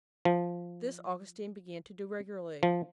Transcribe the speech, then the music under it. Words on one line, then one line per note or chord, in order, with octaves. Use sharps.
This Augustine began to do regularly.
F3
F3